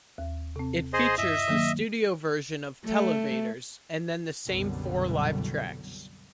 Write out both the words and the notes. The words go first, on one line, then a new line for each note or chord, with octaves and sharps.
It features the studio version of "Televators", and then the same four live tracks.
D#2
C3 C4
G#4 C5 D#5
G2 D#5 E5
D#3 F#3 A#3
A3
C2 F#2 B2 D3 F#3 G3